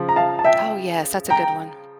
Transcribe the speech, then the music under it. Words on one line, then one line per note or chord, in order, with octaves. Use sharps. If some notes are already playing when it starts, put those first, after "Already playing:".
Oh, yes, that's a good one.
Already playing: C#3 F3
A#5
F5 A5
A5
E5 G5
G5 A#5